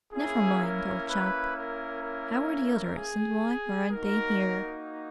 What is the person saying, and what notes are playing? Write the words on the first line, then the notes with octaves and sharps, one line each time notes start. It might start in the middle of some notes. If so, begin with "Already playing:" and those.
"Never mind, old chap. How are the others, and why aren't they here?"
A#3 C#4 E4 G#4
A#4
B4
A#4
A#4
G#4
A#3 D#4 F#4 A#4